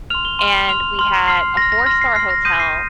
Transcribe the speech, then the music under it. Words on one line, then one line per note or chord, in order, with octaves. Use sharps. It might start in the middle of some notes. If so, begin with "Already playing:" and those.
and we had a four-star hotel,
C6 F6 F7
G7
C6 F6
C6 F6 F7
C6 F6
C6 F6 C7
C6 F6 A#6
A#6
C6 F6 A#6
C7
C6 F6 C7
A#6
C6 D#6 G6 D#7
C7